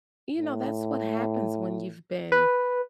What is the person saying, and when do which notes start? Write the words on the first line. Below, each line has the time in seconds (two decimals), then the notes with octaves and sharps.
you know, that's what happens when you've been
0.37 A2
2.32 B4